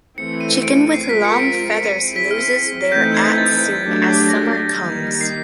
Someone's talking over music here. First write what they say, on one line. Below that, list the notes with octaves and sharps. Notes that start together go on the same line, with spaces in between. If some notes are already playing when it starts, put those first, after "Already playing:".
Chicken with long feathers loses their at soon as summer comes.
E3 A3 C4 C#7
D#7
D7
C7
G#3 C4 F4 A#4 B6
C#7
D7
D7
D7
D#7
C4 E4 G#4
B6
F6
E3 A3 C4 D#4 G6
G#6
A6
F#3 A3 D4 G4
A#6
D#3 G3 A#3 D#4
C7